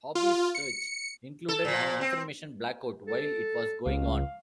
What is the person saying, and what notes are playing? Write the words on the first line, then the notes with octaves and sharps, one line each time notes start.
Hobby's search included an information blackout while it was going on.
F4
C#7
A4
A#2 F3
C4
A4
C#2 F5